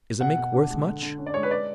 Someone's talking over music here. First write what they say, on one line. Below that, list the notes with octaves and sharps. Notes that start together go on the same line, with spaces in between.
"Is a mink worth much?"
B2 F#5
B2
D4
G#3
D3
D3
C#4
D5
G#3 C#5
B4
D5